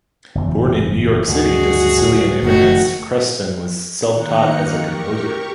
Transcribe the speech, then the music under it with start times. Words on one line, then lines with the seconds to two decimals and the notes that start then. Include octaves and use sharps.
Born in New York City to Sicilian immigrants, Creston was self-taught as a composer.
0.35 F#1 E2
1.28 D2 G2 D#3 F#4 G#4
1.97 D1
2.42 F#1 F#2 D#3 A3 F#4
4.12 D#3 A#3 D#4 A#5 F#6 C#7
4.76 G4 A#4 C#6